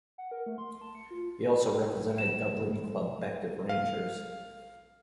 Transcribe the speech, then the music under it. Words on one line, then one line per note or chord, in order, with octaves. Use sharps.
He also represented Dublin club Bective Rangers.
F#5
A#4
A3
C6
A5
C#7
F4
E7
F5